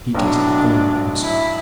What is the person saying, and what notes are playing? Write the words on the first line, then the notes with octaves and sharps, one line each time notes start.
He does it all himself.
B1 A2 F#3 D4
E4